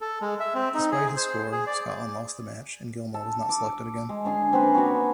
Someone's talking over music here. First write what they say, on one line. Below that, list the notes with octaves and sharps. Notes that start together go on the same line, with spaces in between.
Despite his score Scotland lost the match and Gilmour was not selected again.
A4
G#3
E5
C4
D#4
G#4
C5
G#4
D5
A4
D6
G#3
D3 C#4 G#4 C6
A#3 C4 C#4 B4
C#4 D4 F#4 C#5